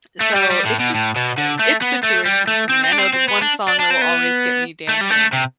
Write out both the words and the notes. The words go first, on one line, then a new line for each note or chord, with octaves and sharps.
so it just eh, it's situational for me. I know the one song that will always get me dancing,
A3
G3
G3
A2
B2
A2
B2
D3
A3
B3
A3
G3
A3
C4
C4
D4
C4
C4
B3
D4
D4
D4
C4
B3
A3
G3
A3
C3